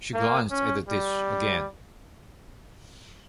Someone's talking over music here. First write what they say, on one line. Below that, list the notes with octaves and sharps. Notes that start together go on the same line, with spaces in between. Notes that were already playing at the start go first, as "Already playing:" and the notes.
She glanced at the dish again.
A#3
C#4
G3